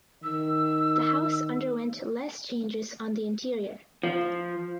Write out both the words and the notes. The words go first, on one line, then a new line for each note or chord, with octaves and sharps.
The house underwent less changes on the interior.
D#3 E6
F3